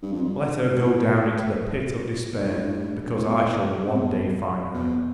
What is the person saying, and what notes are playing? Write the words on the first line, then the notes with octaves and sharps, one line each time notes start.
"Let her go down into the pit of despair, because I shall one day find her."
G2
F2
G2
A2
G2
A2
G2
A2
G2
A2
B2
A2
C3
B2
B2